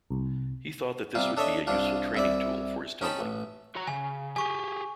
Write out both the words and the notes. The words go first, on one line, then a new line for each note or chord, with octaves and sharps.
He thought that this would be a useful training tool for his tumbling.
C2
C3 G3 F4
D4 A4 C#5 D#5 E5
C2 D4 F4
C2 E4 D5
C#4 D#4 G5 A5 B5
A1
F#4 C#5 A#5
C#3 G#5
G4 G#4 G#5 C#6